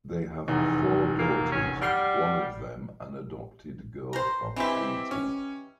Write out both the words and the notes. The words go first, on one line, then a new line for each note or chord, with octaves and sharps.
They have four daughters, one of them an adopted girl from Haiti.
F1 E2 D#4
A#3
C#4
G3 F#5 F6 C7
A#4 C5
E3 G#3 C4 E4 G4
C#4